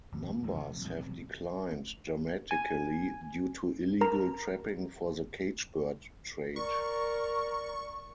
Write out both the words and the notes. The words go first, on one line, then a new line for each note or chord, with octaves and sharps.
Numbers have declined dramatically due to illegal trapping for the cage-bird trade.
D1 G#1 F2
D1 E2 G3
F1 A#1 C3
A#1 F2 E3 G#3
D#1 C3 F#3
G#5
A#4 A#5
A#4 D5 C#6